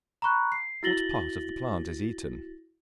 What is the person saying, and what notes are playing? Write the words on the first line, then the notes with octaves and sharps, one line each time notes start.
What part of the plant is eaten?
A#5 B5 C#6 F#6
C7
E4 F#4 A6 A#6 F#7 G7